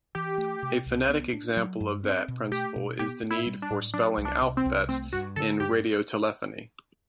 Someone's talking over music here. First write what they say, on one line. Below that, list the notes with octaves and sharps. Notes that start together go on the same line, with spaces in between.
A phonetic example of that principle is the need for spelling alphabets in radiotelephony.
E3 G4
A3
C3
C2
B3
D4
F#3
G2
C4
B2
A3 G4
B2
B3 G4
A2
E4
G3
D4
A2
F#3 D4
C2
D4
C3
C4
C2
A3 C4
G2 F#4
D3 A4
G2 G4